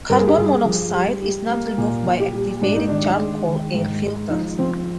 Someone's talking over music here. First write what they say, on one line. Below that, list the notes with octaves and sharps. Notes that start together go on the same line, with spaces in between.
Carbon Monoxide is not removed by activated charcoal air filters.
G2 A#4
G#4
G4
G2 G#4
F3
G3
G3
A#3
A#2
A#2
G4
G3
G#2 D4
D#4
D#3 D4
G#3
D#3
G#2
G#3
F3 D#4
F3 C4